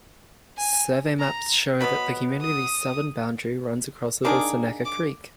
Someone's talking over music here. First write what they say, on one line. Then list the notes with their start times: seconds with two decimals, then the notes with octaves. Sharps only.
Survey maps show that the community's southern boundary runs along Little Seneca Creek.
0.57 G#5
1.19 A#5
1.80 B2 F#3 B3 B5
2.41 D#6
4.24 D#3 A#3 D4 G#4 D6
4.85 D6